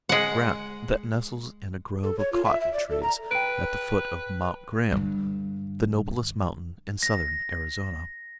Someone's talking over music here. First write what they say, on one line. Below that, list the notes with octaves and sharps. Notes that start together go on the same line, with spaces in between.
Grant, that nestles in a grove of cotton trees at the foot of Mt. Graham, the noblest mountain in southern Arizona.
G#3 F#5
A4
C#5
F4
E5
E5
D5
A4
A#5
B4 G5 D7
G2 D3
A#6